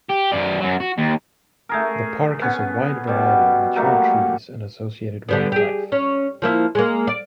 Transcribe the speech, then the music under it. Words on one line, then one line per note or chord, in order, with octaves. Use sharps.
The park has a wide variety of mature trees and associated wildlife.
G4
F#2 D5
F#2 F#3
F#4
D#2
A3 G#4 A#4
B3 C#4
B2 G3
F#3 G3 A3 A#3
D3 G3 B3
G4 G#4
C#4
F3 A#3 E4
G#3 A#3
D5